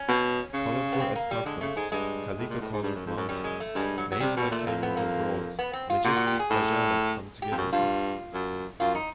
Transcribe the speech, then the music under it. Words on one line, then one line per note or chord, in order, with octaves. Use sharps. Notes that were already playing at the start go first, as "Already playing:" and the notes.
Colorful escarpments, calico-colored mountains, maze-like canyons and broad, majestic bajadas come together here.
Already playing: C#4
B2
C#3
B3
C4
A#3
G3
D3 G#3
C#3 A3
G#2 G#3
G2 G#3
A2
A#2
A2
G#2
G2
F#2
F2
F#2
F#2 G3
G#3
A3
G2 G#3
F#3
F#3
C3 G3
B2 G3
A#2 A3
F2 A#3
B3
A#3
B3
C4
F4
A#2 F#4
F#4
G4
G#4
A2
G4
F2
F#2
G2 F4
F#2
F#2 F4
D#4